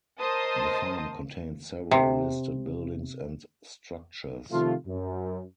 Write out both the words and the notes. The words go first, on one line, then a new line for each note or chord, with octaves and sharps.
The farm contains several listed buildings and structures.
A#4 C5 D#5 A5 D#6
C3
C3 D#3 F3 A3 F4
F#2